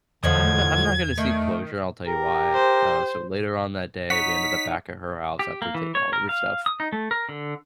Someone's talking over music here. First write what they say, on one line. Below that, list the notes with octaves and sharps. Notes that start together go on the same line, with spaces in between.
I'm not I'm not gonna see closure. I'll tell you why. Uh, so later on that day, we ended up back at her house after taking all of her stuff
E2 A2 D3 D#3 F3 G#6
D#3 A3
G4 A#4
C5
D#4 C#5 F#5 B6
G4
A#3
E3
C#5
A#4
F5
D#6
D#4
A3
A#4
D3